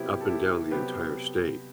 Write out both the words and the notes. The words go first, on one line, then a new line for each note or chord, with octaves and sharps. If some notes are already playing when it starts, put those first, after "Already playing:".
up and down the entire state.
Already playing: C3 F#3 B3 E4 G4
G4
A4
E4 G4
C3 F#3 B3 G4 B4